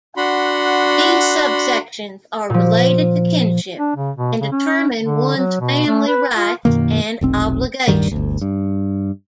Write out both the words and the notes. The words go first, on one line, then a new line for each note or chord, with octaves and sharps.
These subsections are related to kinship, and determine one's family rights and obligations.
D4 F#4 F#5 B5 C6
A#2 F3
D4
C#3
B2
C#3
C#4
D3
F#3
B2
A3
B4
F4
F#2 B2 D#3 A#3
F1 B1 C4
D1 G2 D#3 G3
G1 D2
G2